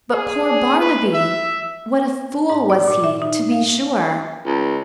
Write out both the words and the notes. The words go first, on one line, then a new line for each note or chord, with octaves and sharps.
But, poor Barnaby! what a fool was he, to be sure!
G#4
B4
E5
G#2
D5
A#2
E5
D#4
F5
C#2